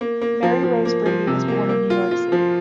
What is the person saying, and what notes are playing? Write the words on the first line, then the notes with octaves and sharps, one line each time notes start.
Mary Rose Brady was born in New York City.
A#3
A#3
F3
F3
A#3
F3
C3
A#3
A#3
F4
F4
F3